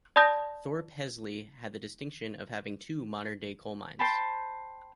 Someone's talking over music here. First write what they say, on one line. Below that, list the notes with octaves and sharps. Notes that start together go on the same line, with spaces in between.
Thorpe Hesley had the distinction of having two modern-day coal mines.
D5 A5 B5 D#6 G6 A#6
C5 G5 A5 B5